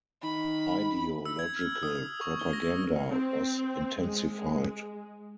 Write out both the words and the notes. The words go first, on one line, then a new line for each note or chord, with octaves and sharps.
Ideological propaganda was intensified.
D#3 B5
E6
G#6
F6
D#6
C#6
G7
A#6
C4
G#3